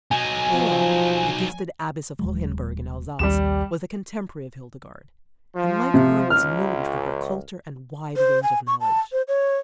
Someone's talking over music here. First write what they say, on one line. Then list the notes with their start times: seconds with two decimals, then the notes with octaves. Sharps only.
Herrad, the gifted abbess of Hohenburg in Alsace, was a contemporary of Hildegard, and, like her, was noted for her culture and wide range of knowledge.
0.11 F#3 D#4 G#5
0.51 F3
2.19 D#1 F#3 G#3
3.19 A#1 D#2 G3 C#4 G4 E7
5.56 F3
5.94 C3
6.30 C#2 F6
8.17 C5
8.43 G#5
8.67 C#6
8.81 A5
9.12 C5
9.28 C#5